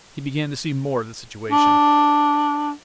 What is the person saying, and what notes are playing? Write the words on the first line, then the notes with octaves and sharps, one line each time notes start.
He began to see more of the situation.
D4